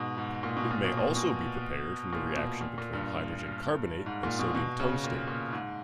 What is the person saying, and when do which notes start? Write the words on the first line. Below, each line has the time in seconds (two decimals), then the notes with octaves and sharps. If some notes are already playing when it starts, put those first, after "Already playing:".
It may also be prepared from the reaction between hydrogen carbonate and sodium tungstate.
Already playing: G#2 B2
0.18 G#2
0.43 A#2
0.57 B2
0.71 A#2
0.84 B2
0.98 A#2
1.16 B2
2.13 A#2
2.36 B2
2.61 A#2
2.78 A#2
2.93 G2
4.06 G#2
4.23 A#2
4.39 B2
4.55 B2
4.80 C#3
5.04 A#2
5.28 A#2
5.53 G#2